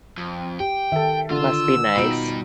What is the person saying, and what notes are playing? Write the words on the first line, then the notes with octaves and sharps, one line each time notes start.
must be nice.
F2
G4 G5
D#3 A4 E5
D3 F4 E6
G2 B2 D#4 F4 F#4 B5 D7